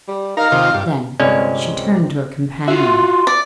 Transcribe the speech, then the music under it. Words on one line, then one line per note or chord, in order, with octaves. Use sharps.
Then she turned to her companion.
G3
D#4 A#4 F5
C3 D#3 F4
G2
G1 C3 G#3 C#4 D5
F4 F#4 E5 C6
D5